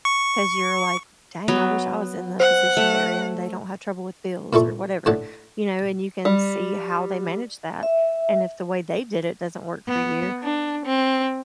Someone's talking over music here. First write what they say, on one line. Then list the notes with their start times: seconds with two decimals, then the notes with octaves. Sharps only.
'cause you're like, "Dang, I wish I was in the position they're in. They don't have trouble with bills or whatever." you know, and you can see how they manage that. And if the way they did it doesn't work for you,
0.05 C#6
1.48 F#3 B3
2.40 C5 F#5
2.77 A3
4.53 A#2 E4 A4 C#6
5.06 A2 D4 A4 F#5
6.25 G3
7.83 E5
9.88 B3
10.43 D4
10.86 C4